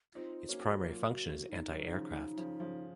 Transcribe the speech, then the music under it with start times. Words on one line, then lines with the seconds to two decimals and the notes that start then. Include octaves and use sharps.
Its primary function is anti-aircraft.
0.15 C4 D#4 F4
0.49 A#3 C#4 F#4
0.82 F#3 A#3 F4
1.15 F#4
1.49 D#4
1.71 D#3 F#3
1.93 C#3 F3
2.38 C#3 F3
2.60 C#3 F3